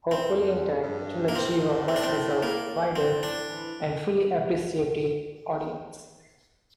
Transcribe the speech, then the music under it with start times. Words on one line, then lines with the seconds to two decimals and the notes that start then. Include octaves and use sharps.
Hopefully in time it will achieve a much-deserved wider and fully appreciative audience.
0.11 C4
0.29 F2
0.83 G2
1.28 A#3
1.35 A2 C4
1.88 C4
1.96 D4
2.04 C4
2.43 A#3
2.96 A2 C4
3.23 D4
3.49 E3